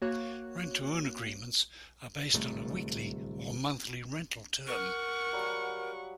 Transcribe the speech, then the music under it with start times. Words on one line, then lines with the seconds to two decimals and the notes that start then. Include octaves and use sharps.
Rent-to-own agreements are based on a weekly or monthly rental term.
0.01 A#3 F#4 C#5 F#6
2.33 D1 C2 A3
4.67 A#4 F#5 C#6
5.33 F#3 G3 F5